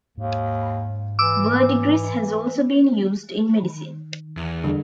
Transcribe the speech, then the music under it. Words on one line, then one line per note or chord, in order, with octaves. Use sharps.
Verdigris has also been used in medicine.
D#2 G#2
E3 D6 E6
D#3
E2
D3 G3 G#4